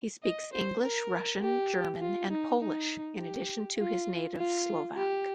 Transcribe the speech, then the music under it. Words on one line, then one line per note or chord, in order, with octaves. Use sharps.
He speaks English, Russian, German and Polish in addition to his native Slovak.
D#5
C5
A#4
G4
F4
D#4
D#4
G4
F4
F4
G4